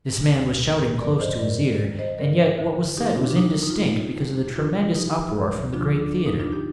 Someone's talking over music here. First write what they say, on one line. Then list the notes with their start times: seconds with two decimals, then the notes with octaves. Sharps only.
This man was shouting close to his ear and yet what was said was indistinct because of the tremendous uproar from the great theatre.
0.21 D2 C3 G3
0.61 G#2 G3
0.99 G2 D3 F3 A#4 D5
1.20 C5 D#5
1.39 G#2 G3 A#4 D5
1.79 F2 D#3 G3
1.99 C5 D#5
2.18 G#2 D#3 G3 A#4 D5
2.58 F2 D3 F3
2.97 F2 D3 G3 D#4 G4
3.17 D4 F4
3.31 D4
3.36 D#2 D3 G3 D#4
3.63 D#4
3.70 F4
3.76 D#2 D#3 G3 D#4
4.15 F2 D#3 G3
4.55 F2 C3 F3 D4 F4
4.95 D#2 D3 F3 D#4 G4
5.34 D2 C3 F3
5.73 D#2 D3 F3 D4 F4
5.94 D4
6.13 G#2 D#3 G3 D4
6.26 D#4
6.39 D4 F4
6.52 D3 G3 D#4 G4